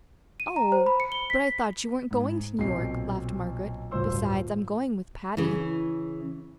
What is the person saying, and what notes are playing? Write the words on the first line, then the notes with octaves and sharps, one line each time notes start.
"Oh, but I thought you weren't going to New York," laughed Margaret. "Besides--I'm going with Patty."
D#7
A#5
C5
B5
C#7
G7
B6
G#2
B1 A#2 C4 C7
D1 G2 F4 C5 C6 E6
C#3 E3